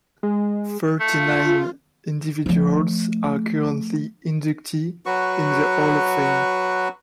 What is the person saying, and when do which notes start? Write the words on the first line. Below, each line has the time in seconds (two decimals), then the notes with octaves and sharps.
Thirty-nine individuals are currently inductees in the Hall of Fame.
0.23 G#3
1.00 A3 F4
2.46 F3 A3
5.06 F#3 F#4 B4 C#6